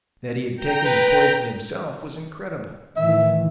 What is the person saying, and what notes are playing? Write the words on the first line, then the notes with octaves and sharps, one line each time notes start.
That he had taken the poison himself was incredible.
G5 A#5 G6
B4
A2 D#3 E3 E5